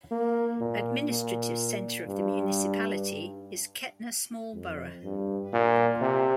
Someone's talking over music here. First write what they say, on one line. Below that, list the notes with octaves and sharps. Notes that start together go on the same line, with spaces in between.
Administrative centre of the municipality is Kehtna small borough.
A#3
A#2
A#2
G2
F2
G2
A#2
C3